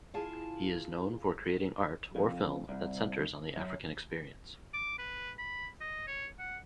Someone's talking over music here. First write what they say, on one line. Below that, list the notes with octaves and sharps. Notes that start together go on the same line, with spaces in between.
He is known for creating art or film that centers on the African experience.
E4 F4 G#4 F5 G#5 A5
F2
C2
F#2
D6
B4
B5
D#5
C#5
F#5